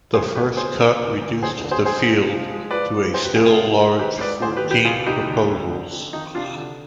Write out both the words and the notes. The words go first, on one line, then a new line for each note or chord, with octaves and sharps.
The first cut reduced the field to a still-large fourteen proposals.
C3 G#4 C5
D2 G4 B4
C2 G#4 C5
C2
D2
D2
D3 G#4 C5
D3
G#4 C5
F2 G#4 C5
C3
F3
G#3
F3 B4 D5
F3
C3 G#4 C5
G4 B4
C3 F4 G#4
F4 G#4
G#2
G#2
D#3 G4 B4
G#2 B4 D5
D3 G#4 C5
G4 B4
D#2
G4 B4
C2 F4 G#4
C2 D#4 G4
D2
D2
D3
F2
D#3 D#4
C3 D4 F4
D3